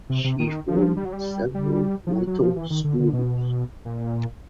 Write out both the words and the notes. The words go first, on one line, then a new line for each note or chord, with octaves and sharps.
She formed several little schools.
C3
C3
D#3
F3
F#3
F3
G3
F#3
G3
G3
F3
F#3
F#3
F3
E3
D#3
D3
D3
B2
A#2